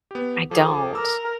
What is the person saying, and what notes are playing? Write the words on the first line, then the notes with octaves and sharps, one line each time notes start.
I don't.
B3 G4
F3 G#4 A4 D6
A#4 E6